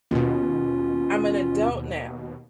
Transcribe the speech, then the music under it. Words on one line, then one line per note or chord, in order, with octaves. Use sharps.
I'm an adult now
D#2 B2 C#4 F4